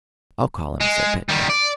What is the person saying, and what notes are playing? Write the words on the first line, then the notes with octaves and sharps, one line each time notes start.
"I'll call him," said Petya.
G#3
D#3 G3
D5